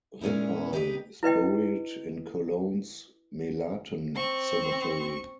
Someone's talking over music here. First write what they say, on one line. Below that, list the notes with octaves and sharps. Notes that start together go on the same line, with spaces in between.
Riphahn is buried in Cologne's Melaten cemetery.
A#2 G#3 C#4 D#4 E4
D#4 G4 G#4 B4 D5 D#5
E4 B4 D#5 G5
C4 C#6